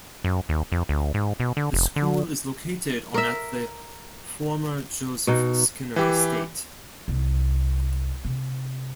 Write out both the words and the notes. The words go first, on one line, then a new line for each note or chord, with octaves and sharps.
The school is located on at the former Joseph Skinner estate.
F#2
D#2
F2
D2
G#2
B2
D3
F1
D3
A#4 E5
B2 D#4
E3 G4
C2
C3